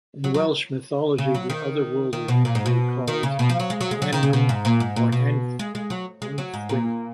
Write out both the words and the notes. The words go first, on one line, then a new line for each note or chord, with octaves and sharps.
In Welsh mythology, the Otherworld is usually called "Annwn" or "Annwfn".
F#3
F#3
C#3
F#3
D#3
D#3
B2
A#2
G#2
B2
D#3
C#3
B2
F3
F#3
G#3
F#3
G#3
F#3
D#3
C#3
B2
G#2
A#2
G#2
A#2
B2
G#3
G#3
F#3
G#3
F#3
G#2
A#2